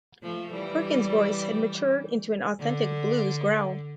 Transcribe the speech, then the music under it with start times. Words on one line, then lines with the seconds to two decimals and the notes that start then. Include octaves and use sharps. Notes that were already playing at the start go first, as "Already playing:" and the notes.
Perkins' voice had matured into an authentic blues growl.
0.23 F3 A3
0.53 E3 G3
2.59 D3